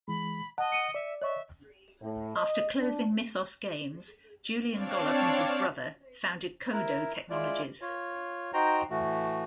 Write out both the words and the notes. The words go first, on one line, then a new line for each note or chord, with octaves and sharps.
After closing Mythos Games, Julian Gollop and his brother founded Codo Technologies.
E3 G#3 B5
D#5 F#5 A5
C#7 D#7
D5 E5
C#5 D#5 E5 C#6
A2
D#5
D4
C4 D4 C#5 D5 F5 A5
E4 A#4
G#3 E4 F4 D5
F4 C#5
D#4 F#4 C5 G5 A#5
A2 E3 A3 F#4